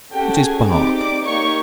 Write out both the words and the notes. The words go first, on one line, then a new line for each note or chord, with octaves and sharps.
What is Bark?
C#4 F#4 G4 A4 G5
G#4 G#5
C4 D#4 G4 D5 D6
D5 D6
A#3 D#4 G4 C#5 C#6